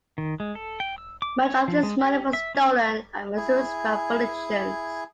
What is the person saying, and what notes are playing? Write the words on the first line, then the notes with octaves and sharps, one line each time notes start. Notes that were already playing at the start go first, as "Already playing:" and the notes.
Much of this money was stolen and misused by politicians.
D#3
G#3
A4
G5
E6
D6
C#5
F3
G#3
G4
E5
C#4
E4 G#4 G#5